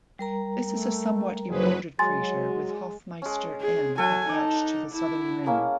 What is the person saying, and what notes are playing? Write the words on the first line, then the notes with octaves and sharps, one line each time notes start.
This is a somewhat eroded crater with Hoffmeister N attached to the southern rim.
G3 A#4 A#5
A3
F#1 F#3 G#4 B4 C5
F#3 G#3 G#5 C6 A6
G#3 C#4
G#4
F#3 A4 F#5 G#5
D#4 D5 A5
E4
G#3 A#3 C#4